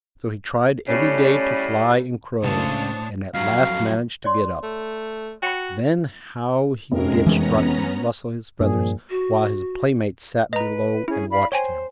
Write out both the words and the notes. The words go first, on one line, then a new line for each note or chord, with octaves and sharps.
So he tried every day to fly and crow, and at last managed to get up; then how he did strut and rustle his feathers, while his playmates sat below and watched him.
A2 G3 C#4
C#2 A2 C#3 D4 C5 C#5 A5 D#6
F2 F#3 F5
C#5 D5 C6
A3
F#4 G5 B5
F1 F#2 G#3 A#4
E3 G#3 B3 C#4 A#5
G2 A#2 F3 G#4
F#4
B4 D#5 A#5
C#4 E4 G#4
D5 F5 B5
C5 C#5 G5 G#5